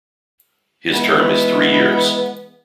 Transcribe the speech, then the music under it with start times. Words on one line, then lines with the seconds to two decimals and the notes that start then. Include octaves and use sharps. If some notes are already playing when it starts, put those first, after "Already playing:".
His term is three years.
0.92 E3 G#3 B3